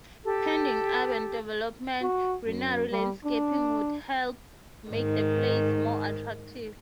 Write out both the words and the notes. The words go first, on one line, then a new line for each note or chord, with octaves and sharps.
Pending urban development, greenery landscaping would help make the place more attractive.
G4 A4
F#4
F#2
G3
D4
G#2 D#3